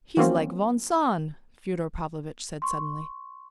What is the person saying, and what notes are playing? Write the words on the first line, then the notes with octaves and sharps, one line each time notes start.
"He's like von Sohn," Fyodor Pavlovitch said suddenly.
E3 F#3 A#3 C4 C#4
C6 C#6